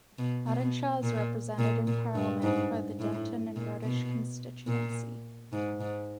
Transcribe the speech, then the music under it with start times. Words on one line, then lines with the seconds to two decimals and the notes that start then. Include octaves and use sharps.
Audenshaw is represented in Parliament by the Denton and Reddish constituency.
0.19 B2
0.46 B2
1.03 A#2
1.59 A#2
1.87 A#2
2.15 G2
2.43 G#2
3.00 A2
3.56 A#2
3.84 B2
4.68 A#2
5.53 G#2
5.80 G#2